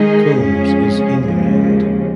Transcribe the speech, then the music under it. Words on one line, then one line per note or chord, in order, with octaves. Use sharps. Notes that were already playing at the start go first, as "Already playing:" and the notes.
Coombes is inland.
Already playing: D#3 G#3 D#4 G#4
F2 C#3 G#3 C#4 G#4
D#2 C#3 F3 G#3